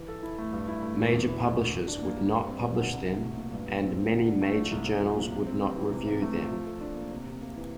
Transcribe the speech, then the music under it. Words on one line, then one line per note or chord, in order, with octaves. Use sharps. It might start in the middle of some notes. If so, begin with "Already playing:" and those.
Major publishers would not publish them and many major journals would not review them.
Already playing: E3
A4
E4
A3
G2
E4
A3
E3
E2
E4
A3
D3
E3
D4
A#3
G3
G2
C4
G3
D3
C2
C2
A3
A#2
G2
G2
C4
F3
D3
D4
A3
F3
C2
C4
F3
A#2
C3
C4
G3
E3
C3
C3
A3
F3
F3
A4
D4
A#3
C3
C3
A#3
E3